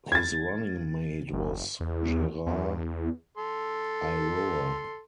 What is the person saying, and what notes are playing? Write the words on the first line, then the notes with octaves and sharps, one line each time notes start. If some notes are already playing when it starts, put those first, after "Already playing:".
His running mate was Gerard Iroha.
G#6 A6
F#1
E2
E2
A4 C6